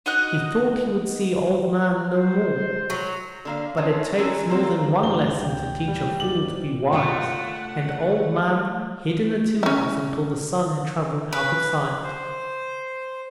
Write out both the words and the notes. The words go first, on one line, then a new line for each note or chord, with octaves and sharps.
He thought he would see OLD-man no more, but it takes more than one lesson to teach a fool to be wise, and OLD-man hid in the timber until the Sun had travelled out of sight.
D#4 F#4 D#5 F#6
C5
F#3
D3 A#3 F5
C#3 F4 C#5 A5
G#3 C#4 F#4 A4 A#4
A#3 C4 E4 F#4
F4 A#4
G2 C5 G7
D2 G5
E3 G3 G4
D#2 G#2 D5 F#7
A3 F4 F#5
C#4 E4
B4
C5